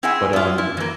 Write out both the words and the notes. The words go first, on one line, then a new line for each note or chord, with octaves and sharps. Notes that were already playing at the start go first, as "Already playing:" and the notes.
but um,
C4 E4 G#4 E5 F#5 G#5
B3 F4
E4
E3 A#3